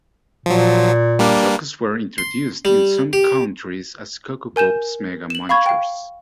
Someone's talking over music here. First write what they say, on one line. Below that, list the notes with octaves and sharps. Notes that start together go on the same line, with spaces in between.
Chocos were introduced in some countries as Coco Pops Mega Munchers.
A#2 F3 F#3
G3 A#3 D4
C6
G3
G4
A#4 G#5 G6 E7
E7 F#7
F5 B5 C#6 G#6
F5 G5